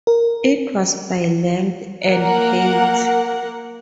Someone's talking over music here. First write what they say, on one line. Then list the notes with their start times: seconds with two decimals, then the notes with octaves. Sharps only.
It was by length, and height.
0.07 A#4
2.05 A#3 A#4 F#5